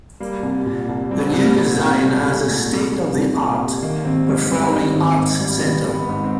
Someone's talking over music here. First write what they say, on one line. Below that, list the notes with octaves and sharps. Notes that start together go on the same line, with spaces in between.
The new design has a state-of-the-art performing arts center.
G3 A#3
C2
A#2
C2
G3 C4
C2
B3
A#2 A3
A#3
C2
G3 A3
G#3
C2 A3
A#2
C2
G3
C2
A#2
C2
D#3 A#3
G#1 C4
G#2 C#4
G3 C4
D#3 C4
G#1
G#2
G3
D#3 B3
G#1
B3
G#2
C4